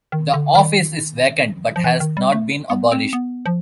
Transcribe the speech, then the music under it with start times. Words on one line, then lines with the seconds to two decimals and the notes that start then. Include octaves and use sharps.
The office is vacant but has not been abolished.
0.12 D#3
0.34 D3
0.55 D#3
1.76 F3
1.84 E3
2.00 D#3
2.17 G3
2.32 A3
2.70 B3
2.92 C4
3.13 B3
3.46 F3